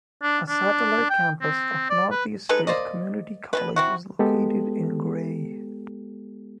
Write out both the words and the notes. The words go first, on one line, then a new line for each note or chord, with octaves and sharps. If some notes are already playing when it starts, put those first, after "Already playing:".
A Satellite campus of Northeast State Community College is located in Gray.
D4
D4
G5
C4
D5
B4
G#3 D#4 A4 B4
A#3 C5 D5 D#5
B2 G#3 B4
C4 E4 F#4
G#3 B3 G4 A4